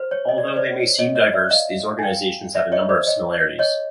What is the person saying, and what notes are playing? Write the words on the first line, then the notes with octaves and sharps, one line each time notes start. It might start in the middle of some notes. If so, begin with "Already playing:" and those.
Although they may seem diverse, these organizations have a number of similarities.
Already playing: C5
C#5
D#5
D5
C#5
C5 D5
C#5 D#5
C#5 D#5
D5 E5
D#5 F5
G#5
F5 G5
D5 E5
C#5 D#5
C5 D5
C#5 D#5
C#5 D#5